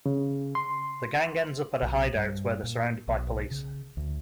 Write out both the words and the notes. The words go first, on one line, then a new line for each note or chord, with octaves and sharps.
The gang ends up at a hideout where they're surrounded by police.
C#3
C6
B1
G2
A#2
B1
C#3
D2